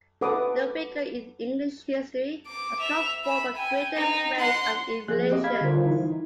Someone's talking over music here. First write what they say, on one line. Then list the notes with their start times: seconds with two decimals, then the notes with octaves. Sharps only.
No figure in English history has called forth a greater range of evaluations.
0.21 A4 B4 F#5 D6 D#6
2.47 D6
2.80 E5 F7
3.25 E5 B5
3.56 G5 G#5
3.96 D#4
4.39 F#5 C6
5.08 F3 A#3 G#4 F#6
5.31 C4 G4 D#5
5.44 F5 B5 G#6 B6
5.61 D3 D#3 G3 F4 A#4 C5
5.84 E3 D#4 E4